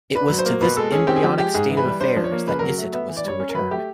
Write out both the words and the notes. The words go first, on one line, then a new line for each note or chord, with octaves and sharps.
It was to this embroyonic state of affairs that Isitt was to return.
D4 B4
F#3
C5
A#3
B2 B4
G#3 A4
C#4 G#4
C4 G4
G#4
F3 G4
G#3 G4
G#2 G#4
E3
B4
G3
D4 C5
F3
C#5
A#3
C#3 B4
F#3 A#4
A3
B3 E5
E3
D5
G3 C#5
C#4
A#4
F#3 B4
A3 G4